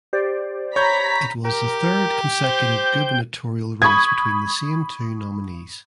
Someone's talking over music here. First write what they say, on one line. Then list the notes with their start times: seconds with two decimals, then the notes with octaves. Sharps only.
It was the third consecutive gubernatorial race between the same two nominees.
0.13 G4 C5 D5
0.76 C#5 A#5 B5 G6 B6
1.45 G4 A#4 G5
2.44 C5 G5 G6
3.82 B5 C#6 D#6 G#6